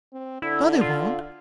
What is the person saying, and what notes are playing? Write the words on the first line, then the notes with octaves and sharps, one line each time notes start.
"No, they won't...."
C4
D3 E4
F4